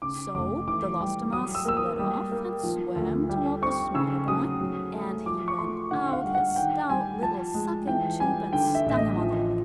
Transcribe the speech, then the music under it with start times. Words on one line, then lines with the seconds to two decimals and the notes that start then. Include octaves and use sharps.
So Belostoma slid off and swam toward the smaller boy, and he ran out his stout little sucking tube and stung him on the leg.
0.02 C#3 D6
0.35 F1 D6
0.68 E3 D6
1.01 G3
1.33 F#3 D#6
1.55 E6
1.65 A#3 E6
1.77 D#6
1.99 G3
2.32 A#3
2.63 F3
2.96 D2
3.29 G3
3.62 C4 C#6
3.94 C#3 E6
4.28 F#3 D#6
4.61 F#3
4.94 A3
5.26 F3 D6
5.48 C#6
5.58 A3 C6
5.91 D3 F#5
6.09 F#5
6.13 F5
6.24 G3
6.35 F#5
6.56 D#3 G5
6.90 G3 G#5
7.22 F3 A5
7.54 G#3
7.87 E3 G5
8.20 G3 G#5
8.53 D3 G5
8.75 E5
8.86 A1 E5
8.97 D#5
9.18 F3